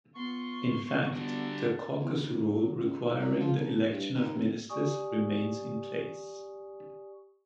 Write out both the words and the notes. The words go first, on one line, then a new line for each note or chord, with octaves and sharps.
In fact, the Caucus rule requiring the election of ministers remains in place.
B3 F4 C6 C#6
D3 G3 D4 F#4
E2
D#2
F#3
C#2
B1
F#3
F3
B1
G2
D#2
F1
G4 D5 G#5 C#6 D#6